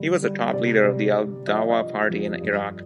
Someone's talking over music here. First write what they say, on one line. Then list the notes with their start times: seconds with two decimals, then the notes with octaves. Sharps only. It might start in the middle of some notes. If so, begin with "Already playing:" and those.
He was a top leader of the Al-Da'wa Party in Iraq.
Already playing: G2 D3 G3
0.22 G3
0.53 C3 D5
0.84 C3
1.15 C3
1.47 F3 D#5
1.58 F5
1.70 D#5
1.77 F3
2.10 F2
2.41 G2